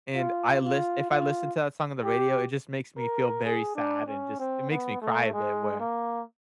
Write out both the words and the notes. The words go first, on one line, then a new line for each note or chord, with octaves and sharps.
and I list if I listen to that song on the radio, it just makes me feel very sad and just it makes me cry a bit where
F4
F4
F4
G4
A#4
G#4
D4
C#4
C4
B3
A3
G#3
A#3